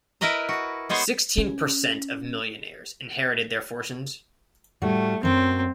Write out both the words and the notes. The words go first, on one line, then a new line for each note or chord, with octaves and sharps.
Sixteen percent of millionaires inherited their fortunes.
E4 A#4 B4 D#5 A#5
F#4
G#3 B3 G#4 C5 C#5
C#4
A2 G3 A3 F#4
F#2 F#3 C4